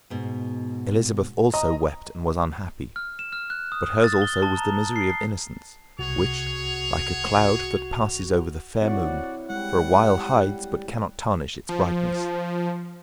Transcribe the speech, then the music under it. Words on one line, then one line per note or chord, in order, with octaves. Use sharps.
Elizabeth also wept and was unhappy, but hers also was the misery of innocence, which, like a cloud that passes over the fair moon, for a while hides but cannot tarnish its brightness.
G#2 B2
D#5 A#5
F6
E7
F6
F#6
D#6
D#6
A6
G7
A5
A#5
C7
C2 F#4 G#4 C#5 C#6 F7
C4 E4 F#4 C#5 D5 F#5
G3 G#3 E4 F#5
F3